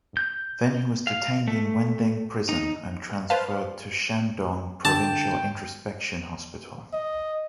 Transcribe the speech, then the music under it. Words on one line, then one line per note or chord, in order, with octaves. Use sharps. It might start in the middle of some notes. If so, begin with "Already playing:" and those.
Then he was detained in Wendeng prison and transferred to Shandong Provincial introspection hospital.
G6
F5
A3
D#4
B4 C5 F5 A5
D3 G5 A5
D#5